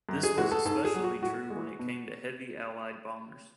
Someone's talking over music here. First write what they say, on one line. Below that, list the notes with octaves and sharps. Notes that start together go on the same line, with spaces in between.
This was especially true when it came to heavy Allied bombers.
F#2
G#4
E3 G#3 F#4
A4
G#2 A4
G#4
F#3
F#4
A2 F#4
E3 G#3
B2